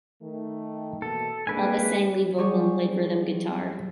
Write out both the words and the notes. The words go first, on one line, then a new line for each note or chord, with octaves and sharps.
Elvis sang lead vocal, and played rhythm guitar.
D#3 A3
B2 E3 A#3 A4
G#3 A#3 C4 D4 B4 G#5
F#3 G3 G#4 C#6